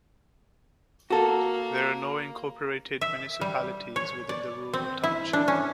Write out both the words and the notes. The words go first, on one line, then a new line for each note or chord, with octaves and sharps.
There are no incorporated municipalities within the rural township.
A#3 F#4 A4
E5
G3
C#5
D5
C4
E4
D4
C#4